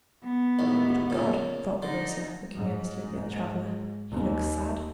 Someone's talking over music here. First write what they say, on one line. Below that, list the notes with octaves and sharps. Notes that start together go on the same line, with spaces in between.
"Good God!" thought the grocer, looking earnestly at the traveler, "he looks sad!"
B3
A1 D#2 G#2
A#2 C#3
D3 D#4
G#2
D#2